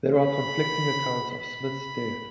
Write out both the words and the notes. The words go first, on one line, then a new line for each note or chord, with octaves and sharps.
There are conflicting accounts of Smith's death.
B5
B5